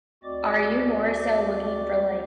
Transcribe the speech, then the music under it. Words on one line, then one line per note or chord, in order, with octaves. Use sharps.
are you more so looking for, like,
D2 C4 F#4 D5 D#5 D6